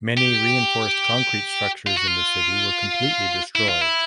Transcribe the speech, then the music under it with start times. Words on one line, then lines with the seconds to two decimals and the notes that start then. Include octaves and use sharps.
Many reinforced concrete structures in the city were completely destroyed.
0.17 G4
1.87 F4
1.97 F#4
2.07 F4
3.55 E4
3.69 F4
3.81 E4